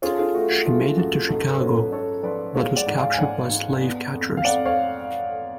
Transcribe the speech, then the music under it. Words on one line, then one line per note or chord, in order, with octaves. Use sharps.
She made it to Chicago, but was captured by slave catchers.
C#4 F4 G#4
A4
F4 G#4
A3 F#4
F#4
A3 F4 G#4
F#2 F#4 A4
G#2 F#4 A4
B4
C#4 F#4 A4
C#4 A4 C#5
F3 B4 D5
G#3 C#5 F5
D5 F#5
G#2 F#5
F5 G#5
G#5
G#2 D5 F#5
G#2
B3
F2
F5
F2 D5 F#5
C#5 F5